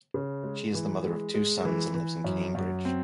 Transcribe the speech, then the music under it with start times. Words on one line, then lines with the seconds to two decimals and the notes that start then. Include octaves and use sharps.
She is the mother of two sons and lives in Cambridge.
0.14 C#3
0.43 G#3
0.75 E3
1.04 G#3
1.34 G#3
1.65 E3
1.94 E3
2.24 F#2
2.55 F#2
2.85 C4